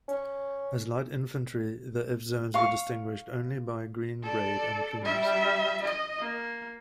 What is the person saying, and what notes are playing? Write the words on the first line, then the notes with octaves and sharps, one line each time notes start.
As light infantry the Evzones were distinguished only by green braid and plumes.
C#4
F5 C#6
A4 D5
G3 E5
D#5
A#3